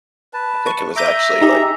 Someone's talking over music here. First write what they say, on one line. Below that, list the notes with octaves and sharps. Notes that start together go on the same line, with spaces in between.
I think it was actually, like
B4 A5
C#6
E5 A#5 D6 G6 D#7
D#4 G4 G#4